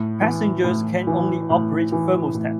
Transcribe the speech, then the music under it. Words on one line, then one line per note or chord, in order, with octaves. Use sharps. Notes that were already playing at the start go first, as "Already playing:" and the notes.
Passengers can only operate thermostat.
Already playing: A2
E3
A2
E3
A2
E3
A2